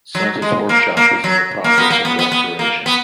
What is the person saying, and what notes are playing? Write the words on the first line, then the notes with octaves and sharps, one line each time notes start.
Santa's Workshop is in the process of restoration.
F#3
G#3
A#3
A#3
F#3
A#3
B3
A#3
B3
B3
B3
A#3
B3